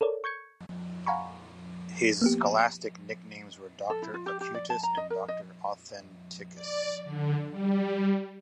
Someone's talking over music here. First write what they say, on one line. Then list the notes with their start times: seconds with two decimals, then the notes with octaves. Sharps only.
His scholastic nicknames were "Doctor acutus" and "Doctor authenticus".
0.01 A4 A#4 C#5 D5
0.24 C#6 G6 G#6 C#7
1.06 F5 F#5 G#5 A#5 B5 C#6
2.21 A#3 B3 G4
3.90 A4
4.02 E4
4.14 F4
4.26 G4
4.41 G4
4.54 D5
4.70 A5
4.83 A#5
4.97 D#5
5.10 A#4
5.28 D#5
6.54 D5
7.04 D3
7.50 G3